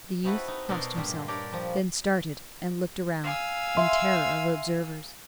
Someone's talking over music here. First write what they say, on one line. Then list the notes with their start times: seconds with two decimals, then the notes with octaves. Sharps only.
The youth crossed himself, then started and looked round, in terror of observers.
0.24 C4 D#4 E4 F#4 A4 B4
0.48 D#4
0.69 B2 D4 D#4 A4 A#4 C6
0.95 G2 A#2 G3 G#3
1.28 D4 G4 A#4 C#5 D5 G5
1.52 F3 G3
3.24 F5 G#5 E6
3.77 E5 C6